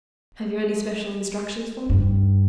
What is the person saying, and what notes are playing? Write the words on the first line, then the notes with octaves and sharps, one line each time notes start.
"Have you any special instructions for me?"
G2